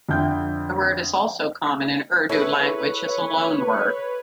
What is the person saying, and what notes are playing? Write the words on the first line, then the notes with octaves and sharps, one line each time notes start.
The word is also common in Urdu language as a loanword.
F2 D3 E4 F4 G5 G6
E4 G#4 A4 B4 C#5 E5